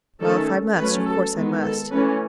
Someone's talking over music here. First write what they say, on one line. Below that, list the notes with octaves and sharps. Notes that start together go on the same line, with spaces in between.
Well, if I must, of course I must.
D#3 A3 C#4 A4
F#3 A3 C#4 B4
A4
D#3 G#3 B3
A4
E3 A3 C#4 B4